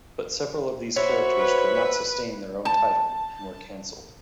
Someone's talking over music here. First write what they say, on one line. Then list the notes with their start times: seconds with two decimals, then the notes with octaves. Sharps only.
But several of these characters could not sustain their own title and were cancelled.
0.96 F#4 C5 C#5 E5 B5 C#6
1.38 B4
2.65 A5